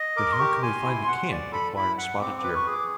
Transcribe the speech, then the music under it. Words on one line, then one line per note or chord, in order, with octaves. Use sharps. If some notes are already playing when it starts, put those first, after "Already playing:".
"Then how can we find the camp?" inquired Spotted Deer.
Already playing: D#5
A#4 D6
C6
G4 C#6
G#5 C6
E4
F#5
D5
A4 B5
E4 B5
F#5
C4 D6
D6
B4
C#6
G#4
D6